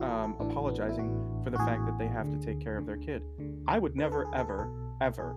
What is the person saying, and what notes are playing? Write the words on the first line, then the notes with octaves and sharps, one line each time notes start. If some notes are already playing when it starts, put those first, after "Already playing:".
um, apologizing for the fact that they have to take care of their kid. I would never, ever, ever,
Already playing: A1 A2 E3 E4 F#4
A4
A4
A1 A2 E3 D4
B3
E4
A1 A2 E3 F#4
F#4
A1 A2 E3 G#4
D2 D3
D2 D3
D2 D3
D2 D3 B4
A4
G#4
A4
B4
B1 B2 A4
B2 G#4